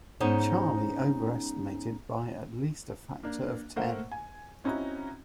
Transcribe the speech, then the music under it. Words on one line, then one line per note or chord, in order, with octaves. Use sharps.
Charlie overestimated by at least a factor of ten.
G#2 B3 C#4 D#4 C5 C#5
A#3 D4
A3 A#3 A#4 C5 F#5
G#5
C4 C#4 D#4 E4 F#4 A#5